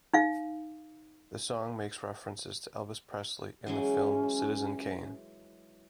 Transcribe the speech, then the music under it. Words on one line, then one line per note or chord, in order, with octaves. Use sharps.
The song makes references to Elvis Presley and the film "Citizen Kane".
D#4 F5
E3 F#3 G#3 C#4